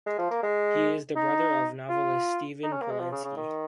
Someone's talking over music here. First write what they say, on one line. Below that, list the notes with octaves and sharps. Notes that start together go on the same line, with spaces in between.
He is the brother of novelist Steven Polansky.
G#3
F3
A#3
G#3
D#4
F4
D#4
C#4
A#3
G#3
F3
C#3
C#3
D#3